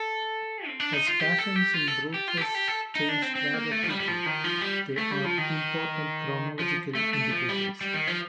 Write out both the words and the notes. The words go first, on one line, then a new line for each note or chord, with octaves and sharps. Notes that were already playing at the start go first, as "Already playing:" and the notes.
As fashions in brooches changed rather quickly, they are important chronological indicators.
Already playing: A4
C4
D4
D#4
F4
G4
A4
G4
F4
A4
G4
F4
G4
A4
G4
A4
D#4
D4
C4
C4
A#3
A3
F3
G3
G3
F3
D#3
F3
G3
A3
G3
F3
D#3
F3
A3
A3
F3
G3
G3
D#3
F3